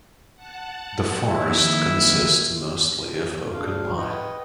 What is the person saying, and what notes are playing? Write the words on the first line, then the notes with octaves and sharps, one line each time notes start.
The forest consists mostly of oak and pine.
F#5 A5 F#6
F2 D#3 A#3 E4
D2 C#3 D4 F5
B4 D#5 F#5 G5